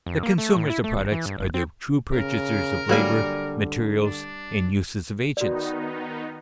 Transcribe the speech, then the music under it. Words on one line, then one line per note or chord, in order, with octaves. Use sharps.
The consumers of products are the true purchasers of labor, materials, and uses of agents.
F2
A#3
A3
A2
E4
A3
G#1
E3
G2
F1
C4
C#3 A#4
D3 F#3 G3 A#3 G#5
D4
D#3 B3 D#4 F#4 D5